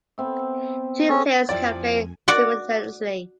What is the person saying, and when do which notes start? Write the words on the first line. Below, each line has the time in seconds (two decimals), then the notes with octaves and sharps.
Two players can play simultaneously.
0.18 B3 C4 E5
1.09 C4 C#4 G#4 A4
1.49 F2 F3 E4 G4 D5 G#5
2.28 F#4 D5 F#5